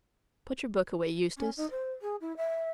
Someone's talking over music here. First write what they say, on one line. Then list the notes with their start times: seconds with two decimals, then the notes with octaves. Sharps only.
Put your book away, Eustace.
1.37 C#4
1.56 D#4
1.70 C5
2.01 G#4
2.20 E4
2.36 E5